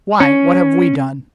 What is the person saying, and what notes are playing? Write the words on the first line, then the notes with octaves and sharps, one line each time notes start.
"Why, what have we done?"
C#4